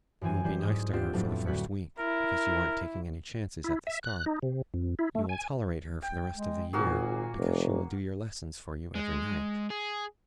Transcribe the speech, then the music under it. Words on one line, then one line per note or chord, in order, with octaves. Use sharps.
You will be nice to her for the first week, because you aren't taking any chances at the start; you will tolerate her for the rest of the year, because she will do your lessons for you every night.
F#2 E3 C4 G#5
E3 G3 C5
G#2 D#6
B3 C4 D4 F4 G4 C5
F2 A2 F#3 A3
D2 F#4 B6 C#7
E4 A#4
E4
E5
F#6
D#4
C3
F2
E4
A3
G#5
G5
G#3
G#1 A#2 A#3 F#4 G#4
F1
G#3
G#4